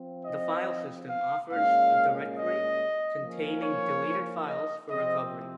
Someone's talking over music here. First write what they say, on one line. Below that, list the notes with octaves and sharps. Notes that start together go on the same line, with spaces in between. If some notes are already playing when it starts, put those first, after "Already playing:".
The filesystem offers a directory containing deleted files for recovery.
Already playing: F3 C4
D#5
F5
A#2 G#3 C#4 F5
D#5
F3 A#3 C#4
C#5
D#5
C3 F3 C4 D#5